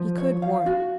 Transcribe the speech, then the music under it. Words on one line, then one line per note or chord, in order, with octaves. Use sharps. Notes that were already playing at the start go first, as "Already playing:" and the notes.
He could warn.
Already playing: F3
C#5
F5
F#4